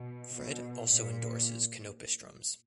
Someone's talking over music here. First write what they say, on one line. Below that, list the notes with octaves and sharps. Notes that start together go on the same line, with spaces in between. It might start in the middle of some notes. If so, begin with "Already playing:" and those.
Fred also endorses Canopus drums.
Already playing: B2
B2
A#2